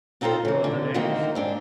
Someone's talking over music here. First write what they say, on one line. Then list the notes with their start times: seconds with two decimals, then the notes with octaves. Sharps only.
"No other names?"
0.21 B3 C4 D#4 F4 A4 C5
0.45 C#3 E3
0.64 D3
0.94 D3 D#3 A#3 C4 D#4 E4
1.35 G#2 C4 D4